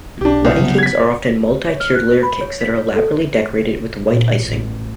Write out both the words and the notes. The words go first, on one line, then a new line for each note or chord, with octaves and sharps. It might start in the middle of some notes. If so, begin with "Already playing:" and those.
Wedding cakes are often multi-tiered layer cakes that are elaborately decorated with white icing.
B1 D4 G4
C2
C#3 F#3 B3
G#6 B6
C#5
F6
F#6
B4
B5
C#5
B6
C#5
A4
A#2
A1